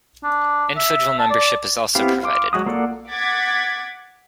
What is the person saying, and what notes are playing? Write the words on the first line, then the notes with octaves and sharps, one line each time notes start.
Individual membership is also provided.
D4
E5
A5
D5
B3 C4 E4 G4 F5
F5 C6 D6
F#3 G#3 F#4 D#6
A#3 F4 A4 D5 F#5
F#5 D6 G#6 A6 B6